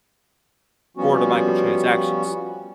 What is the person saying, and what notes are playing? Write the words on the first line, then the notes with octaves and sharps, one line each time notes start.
for the microtransactions.
F3 G3 B3 C#4 F#4